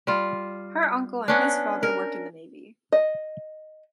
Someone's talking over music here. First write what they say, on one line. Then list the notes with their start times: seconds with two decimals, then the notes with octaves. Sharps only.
Her uncle and his father worked in the Navy.
0.07 G3 F4
1.28 B3 C#4 D4
1.83 A#4
2.92 D#5